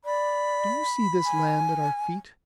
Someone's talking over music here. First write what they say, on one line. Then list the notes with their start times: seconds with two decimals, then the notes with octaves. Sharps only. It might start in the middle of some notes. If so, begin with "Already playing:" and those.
'Do you see this land at our feet?'
0.05 D5 B5
1.25 G#5